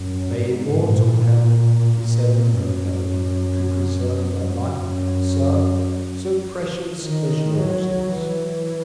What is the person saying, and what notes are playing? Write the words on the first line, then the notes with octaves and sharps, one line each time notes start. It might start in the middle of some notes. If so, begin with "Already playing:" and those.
May immortal Health descend from Heaven to preserve a Life, Sir, so precious as yours is.
Already playing: F#2
G#2
A#2
A#2
F#2
F#2
D#3
F#3
E3